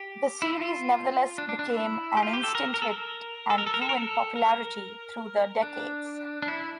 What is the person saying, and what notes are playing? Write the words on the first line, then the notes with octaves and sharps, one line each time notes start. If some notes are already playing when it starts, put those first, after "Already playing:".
The series nevertheless became an instant hit and grew in popularity through the decades.
Already playing: G4
E4
F4
D4
D4
D4
E4
G4
F4
G4
A4
A#4
A#4
A4
A#4
A4
A#4
A4
A#4
A4
A#4
A4
A#4
D4
D4
E4